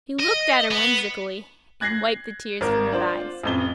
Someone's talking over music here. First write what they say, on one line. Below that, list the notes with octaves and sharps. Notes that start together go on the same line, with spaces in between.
He looked at her whimsically, and wiped the tears from his eyes.
D#5
B3
F#6 G#6 A#6 C7
G#1 A#4
D4 F4 C5
A1 F2 G7